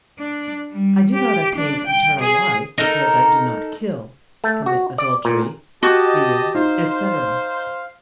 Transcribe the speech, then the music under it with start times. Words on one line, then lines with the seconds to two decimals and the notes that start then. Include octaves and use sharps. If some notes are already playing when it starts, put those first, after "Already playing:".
I do not obtain eternal life because I do not kill, commit adultery, steal, etc.
0.19 D4
0.71 G3
1.14 G4
1.55 D4
1.86 G5
2.20 G#4
2.78 D#4 A4 A#4
4.44 A3
4.66 F#4
4.98 D5
5.25 A#2
5.83 F#4 G4 D#5 A5
6.55 D#4 C5 F5